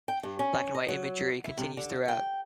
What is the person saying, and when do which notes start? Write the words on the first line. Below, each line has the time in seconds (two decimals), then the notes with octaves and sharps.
Black-and-white imagery continues throughout.
0.08 G5
0.23 G2
0.39 C#4
0.75 D#5
0.88 F#3
1.44 E4
1.58 C3
1.77 D3
2.08 G5